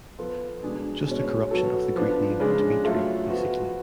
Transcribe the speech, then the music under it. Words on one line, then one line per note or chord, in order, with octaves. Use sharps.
Just a corruption of the Greek name "Dimitri," basically.
F3 B3 F4 A4
B2 G#3 D4 G#4
B2 G#3 C#4
F#3 B3 F#4 A4
F3 B3 D4
C#3 G#3 D4
F#3 A3 F4 A4
F3 B3 F#4